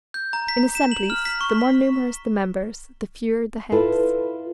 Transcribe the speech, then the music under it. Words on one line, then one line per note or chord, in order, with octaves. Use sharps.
In assemblies, the more numerous the members, the fewer the heads.
G6
A#5
B6
E7
F#7
F6
B6
C#6
E4 F4 A4 B4